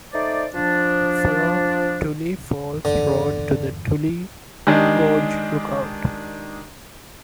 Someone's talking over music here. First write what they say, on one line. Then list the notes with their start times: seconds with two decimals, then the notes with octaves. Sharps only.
Follow Tully Falls Road to the Tully Gorge Lookout.
0.13 A3 D#4 C5 D5
0.54 F3 D4
2.85 G1 E2 D3
4.67 D#3 G#3 D4 G4